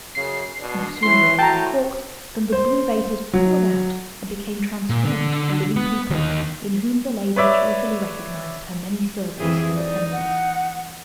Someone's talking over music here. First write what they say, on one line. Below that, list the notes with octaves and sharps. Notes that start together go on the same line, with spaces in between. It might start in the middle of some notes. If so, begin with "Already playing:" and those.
No sooner were they uncorked than the blue vapours poured out and became transformed to living people, in whom the lady joyfully recognised her many servants and attendants.
F#2 C#3 C7
B2 D4
E3 C#4 E4 C6
A2 E4 F#4 G5 A5 A#5
C5
F#3
A#2
D3 D4
B3
D#2 D#4
B4 C#5 D5 E5 D6
F2 E3 G#4
D#4 D5
F#5